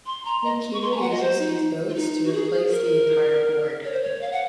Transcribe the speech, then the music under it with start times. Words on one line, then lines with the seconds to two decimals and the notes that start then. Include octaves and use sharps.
McKeever uses these votes to replace the entire Board.
0.06 C6
0.25 A#5
0.44 D#5
0.73 C#6
0.82 C6
0.91 A#5
0.97 G#5
1.01 F#5
1.11 D#5
1.20 C5
1.39 D#4
1.89 F4
1.95 D#4
2.25 F#4
2.33 G#4
2.52 G#4
2.70 A#4
3.84 C#5
3.92 C5
4.02 C#5
4.21 F5
4.32 F#5